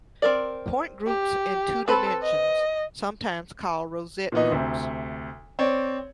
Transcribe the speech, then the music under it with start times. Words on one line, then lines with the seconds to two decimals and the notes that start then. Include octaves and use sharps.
Point groups in two dimensions, sometimes called rosette groups.
0.22 C4 A#4 D5
1.07 G4
1.88 C4 A4 B4 B5
2.22 D#5
4.32 A#2 E3 B3 D#4
4.52 D2 C3
5.59 C4 C#5 D5